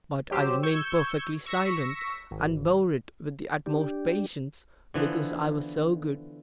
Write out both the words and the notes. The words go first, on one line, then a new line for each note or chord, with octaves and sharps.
But I remained perfectly silent, and bore it with the utmost patience, because I was so good.
F#3 G4 C5 E6
C#6 E6 G6 G#6 C#7
C#6 E6 A#6 B6
G#1
D4 G4
D3 E3 F3 B3